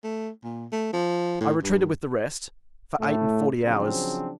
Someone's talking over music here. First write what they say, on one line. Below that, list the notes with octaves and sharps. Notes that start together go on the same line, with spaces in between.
I retreated with the rest, for eight and forty hours.
A3
A#2
A3
F3
A2
G2
A2 A3
C#3 F3 F#3 C4 D4